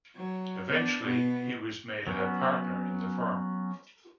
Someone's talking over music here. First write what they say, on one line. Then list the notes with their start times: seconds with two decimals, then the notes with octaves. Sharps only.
Eventually, he was made a partner in the firm.
0.16 F#3
0.71 B3 D4
1.04 B2 B3
2.07 F#3 B3 C#4